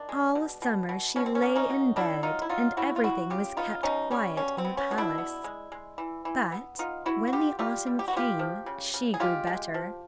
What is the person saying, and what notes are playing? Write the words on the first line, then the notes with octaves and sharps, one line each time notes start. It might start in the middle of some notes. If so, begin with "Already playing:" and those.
All summer she lay in bed, and everything was kept quiet in the palace; but when the autumn came she grew better.
Already playing: D#3 D4
G#3
B2
B2
B2
B2 C#4
C4
C#4
A#3
C#4 D#4
F#3
C#3 D4 E4
F#3 D#4 F4
E4
F#3 D#4 F4
C#3 E4 F#4
F4
C#3 E4 F#4
C#3 F4 G4
B3 D#4 F4
B2 C#4 D#4
G3 C#4
B2 C#4
C4
B3
C#4
B2
D4 E4
B3
G#3
G#3
E3
E3
B3
B3 D#4 F4
B3 E4 F#4
F#4
B3 F4 G4
G3 F4 G4
G3
G4
F#4
B3 F4 G4
F3
C#3
C#3
G#4
G#3 F4 G4
G#3
F3